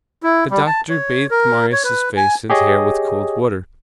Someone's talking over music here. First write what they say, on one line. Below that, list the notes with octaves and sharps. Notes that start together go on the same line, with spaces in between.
The doctor bathed Marius' face and hair with cold water.
E4
G3
A5
C#5
A#4
C#5
B4
G#5
G4 G#4 C#5 D#5